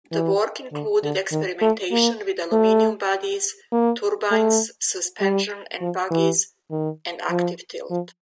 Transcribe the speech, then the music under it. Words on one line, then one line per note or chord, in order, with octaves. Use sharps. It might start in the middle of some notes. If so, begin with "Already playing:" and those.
The work included experimentation with aluminium bodies, turbines, suspension and bogies, and active tilt.
E3
D3
D3
D#3
A3
A#3
A3
A#3
A3
G3
F3
E3
D#3
F3
F3